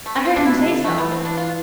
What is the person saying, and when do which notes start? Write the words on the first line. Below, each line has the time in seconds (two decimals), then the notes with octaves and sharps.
I heard him say so.'
0.06 A3
0.16 B3
0.25 C4
0.36 B2 D4
0.45 A2 E4
0.58 C3 D4
0.72 D3
0.84 E3 A3
0.98 B3
1.11 C4
1.25 D4
1.37 F4